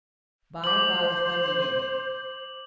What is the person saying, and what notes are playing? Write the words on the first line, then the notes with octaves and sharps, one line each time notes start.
By-and-by the fun began.
C5 D6 F#7